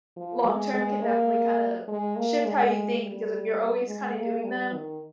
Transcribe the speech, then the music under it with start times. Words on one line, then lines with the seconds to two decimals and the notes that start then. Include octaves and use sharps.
long term can definitely kinda shift how you think because if you're always kinda doing them,
0.16 F3
0.45 G#3
0.74 G#3
1.03 A#3
1.88 G#3
2.17 A#3
2.45 G#3
3.02 G3
3.87 G#3
4.17 A#3
4.45 G3
4.73 D#3